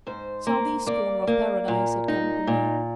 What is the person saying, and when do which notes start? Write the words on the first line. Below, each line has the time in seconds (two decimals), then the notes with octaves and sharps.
"Southeast corner of Paradise," said Campany.
0.07 G#2 C5
0.47 A#3
0.87 A#3 D5
1.27 A#3
1.68 A#2
2.08 D#4
2.47 A#2